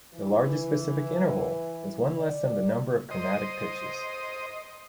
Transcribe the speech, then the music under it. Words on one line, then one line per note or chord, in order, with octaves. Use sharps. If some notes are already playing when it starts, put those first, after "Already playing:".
The largest specific interval is one less than the number of "chromatic" pitches.
E3
D5
C5 D#5